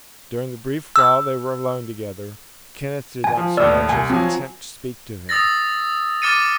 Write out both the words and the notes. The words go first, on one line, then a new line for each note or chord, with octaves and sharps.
During the brief while they were alone together, Kenneth did not so much as attempt to speak to him.
E6
G#5
F3
D#2 A2 D5 E6 F6
C2 G#5
F3 F#3 C4 G#5
D#6 E6 A6 A#6
D6 F6 A6 C#7 D#7